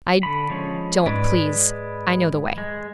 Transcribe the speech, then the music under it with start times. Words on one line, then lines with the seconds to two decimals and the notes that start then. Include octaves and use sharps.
'I--don't, please; I know the way.'
0.23 D3 B5
0.50 F3 G#3 C#4
1.06 G#2 G#3 B4 D5
2.58 G#3